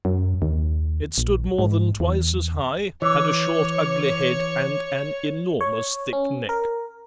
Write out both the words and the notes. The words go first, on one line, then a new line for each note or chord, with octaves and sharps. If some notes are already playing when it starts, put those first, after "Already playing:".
It stood more than twice as high, had a short, ugly head, and an enormous thick neck.
F#2
D#2
A#1
G#2
E2
E3 C#5 D6
C#5
C#4
A#4